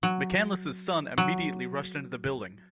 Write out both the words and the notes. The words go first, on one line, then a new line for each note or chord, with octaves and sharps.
McCanles's son immediately rushed into the building.
F#3
F#3